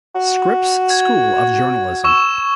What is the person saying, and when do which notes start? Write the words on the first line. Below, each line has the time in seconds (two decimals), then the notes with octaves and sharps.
Scripps School of Journalism.
0.15 F#4
0.90 G#6
2.04 C#6 E6 E7